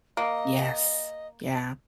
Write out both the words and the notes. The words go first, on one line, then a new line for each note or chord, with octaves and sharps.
Yes. Yeah.
A#3 D#5